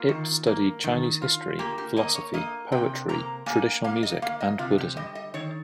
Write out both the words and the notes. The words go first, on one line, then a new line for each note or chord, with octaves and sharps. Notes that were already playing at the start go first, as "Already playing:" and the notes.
Ip studied Chinese history, philosophy, poetry, traditional music, and Buddhism.
Already playing: A#3 F4
D#3
A#3
D#3
F4
A#3 G4
G4
A#3 D#5
C#5
A#3 D#5
C3 G5
A#3 A#5
A#3 G#5
A#3 F5
D#5
A#3 F5
D#5
C3 F4
G4
G3 D#5
D#5
D#3 C#5